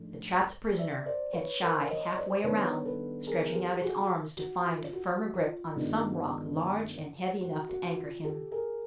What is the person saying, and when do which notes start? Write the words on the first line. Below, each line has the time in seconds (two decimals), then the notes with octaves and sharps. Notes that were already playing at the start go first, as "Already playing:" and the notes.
The trapped prisoner had shied halfway around, stretching out his arms to find a firmer grip on some rock large and heavy enough to anchor him.
Already playing: G#2 F3 A3 D4
0.78 D5 E5
1.06 C5 D5
1.33 B4 C#5
1.61 A#4 C5
1.88 C#5 D#5
2.16 C5 D5
2.32 D5
2.44 D#3 G3 B3 D4 B4 C#5
2.85 A4 B4
3.27 G#4 A#4
3.55 G4 A4
3.82 F#4 G#4
4.37 F#4
4.65 F4
4.82 F4
4.93 F#4
5.34 F4
5.76 G2 D#3 G#3 B3 D4
7.41 F#4
7.69 F#4
7.96 F4
8.24 G4 A4
8.52 G#4 A#4